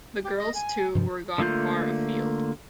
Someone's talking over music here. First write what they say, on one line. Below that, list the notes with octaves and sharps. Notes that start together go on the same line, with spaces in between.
The girls, too, were gone far afield.
G4
D#5
G#5
G2 C3 F3
D3 A3 A#3 F4 G6